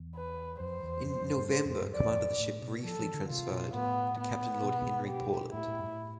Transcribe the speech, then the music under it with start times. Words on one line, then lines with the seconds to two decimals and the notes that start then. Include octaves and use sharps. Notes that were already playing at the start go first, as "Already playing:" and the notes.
In November command of the ship briefly transferred to Captain Lord Henry Paulet.
Already playing: E2
0.15 B4
0.60 F2 C5
0.83 E2
1.05 F2
1.20 F2
1.36 G2
1.50 A2
1.65 F2
1.80 G2
1.95 F2 D5
2.05 G2
2.09 F2
2.40 A2
2.62 B2
2.84 F3 A4
3.00 E3
3.14 D3
3.29 C3 F4
3.51 B2
3.74 A2 B3
4.19 B3
4.63 B2
5.08 G4
5.52 A2 E4
5.67 A2
5.79 G2
5.83 A2